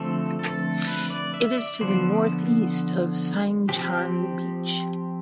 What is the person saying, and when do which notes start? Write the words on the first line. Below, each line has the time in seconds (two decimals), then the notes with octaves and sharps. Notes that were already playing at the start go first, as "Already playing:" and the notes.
It is to the northeast of Saeng Chan beach.
Already playing: D3 F3 A3 C4 A4
0.39 A4
0.87 B4
1.10 D5
1.34 E5
1.58 D5
1.81 D3 F3 B3 C5
3.69 F3 C4 G4